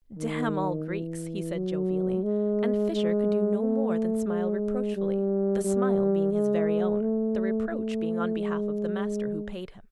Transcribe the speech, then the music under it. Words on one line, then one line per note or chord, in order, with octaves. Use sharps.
"Damn all Greeks," he said jovially, and Fisher could do no more than smile reproachfully, the smile being his very own, the reproach being on behalf of the master who paid him.
D#3
E3
F#3
G#3
G#3
A3
G#3
G3
G3
G#3
A3
A3
G#3